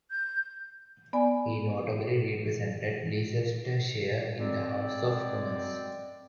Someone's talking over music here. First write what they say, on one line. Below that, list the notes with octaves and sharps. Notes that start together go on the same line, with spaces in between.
He notably represented Leicestershire in the House of Commons.
G6
B3 D5 G#5
F#2 G#3 C4 D5